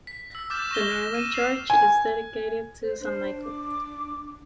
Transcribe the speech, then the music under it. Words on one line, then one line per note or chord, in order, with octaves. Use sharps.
The Norman church is dedicated to Saint Michael.
B6
E6
D6 F6 G6 A6 E7
C#6 A#6 G7
D#7 E7
F6 C7 F7
G#5
C5
D4 C5
D6